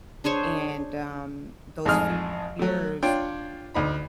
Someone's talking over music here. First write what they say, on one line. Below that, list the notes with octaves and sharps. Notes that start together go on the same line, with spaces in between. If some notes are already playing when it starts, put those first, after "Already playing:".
And, um, those fears
D4 G#4 C5 C#5
A1 F2 G#3 D#4 G#4 F6
F#3 A3
D4 F4 C#5 G5
D2 D#4 B5